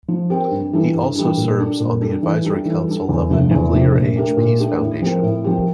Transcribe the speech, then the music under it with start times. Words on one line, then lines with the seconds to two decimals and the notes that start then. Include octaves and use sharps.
He also serves on the Advisory Council of the Nuclear Age Peace Foundation.
0.08 F3
0.30 C4 G4 A#4
0.51 G2
0.73 E3 G3 D4 A4
0.94 G2
1.16 E3 G3 D4 A4
1.37 A#2
1.58 G3 D4 A4
1.80 A#2
2.02 G3 D4 A4
2.23 E3
2.44 G3 D4 A4
2.65 E3
2.87 G3 D4 A4
3.09 E2
3.30 C3 F3 A3 D4
3.51 E2
3.73 C3 F3 A3 D4
3.95 A#2
4.16 A3 D4 G4 A#4
4.37 A#2
4.59 A3 D4 G4 A#4
4.80 A2
5.02 F3 C4 G4 A#4
5.23 A2
5.44 F3 C4 G4 A#4